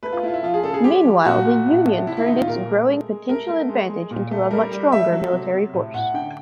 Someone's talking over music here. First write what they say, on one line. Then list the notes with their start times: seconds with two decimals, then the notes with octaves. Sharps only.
Meanwhile, the Union turned its growing potential advantage into a much stronger military force.
0.03 A3 B4
0.13 F4
0.23 A3 E4
0.28 F4
0.34 E4
0.43 F3 F4
0.54 G#4
0.63 C#3 A4
0.74 G#4
0.84 G#3 G4
1.04 F3
1.25 A#2 F#4
1.45 A#2
1.66 A2
1.86 A2
2.06 C3 E4
2.17 E4
2.26 D#3 D#4
2.38 F4
2.48 A#2 A#4
2.68 A3
2.89 G#3
3.09 G#3
3.29 A3 A#4
3.49 A3
3.69 G#3
3.90 G#3
4.11 A#2
4.31 A3
4.51 G3 A#4
4.72 G3
4.92 A3 E5
5.13 F#3
5.33 C3
5.53 C3
5.73 A2
5.94 A2 F#5
6.14 D3 G5